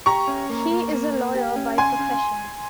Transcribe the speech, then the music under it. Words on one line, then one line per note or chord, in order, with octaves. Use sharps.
He is a lawyer by profession.
G4 A#5 C#6
C#4
A#3
A#3
A#3
A#3
G4
C#4
C#3 G#5 C6
C#3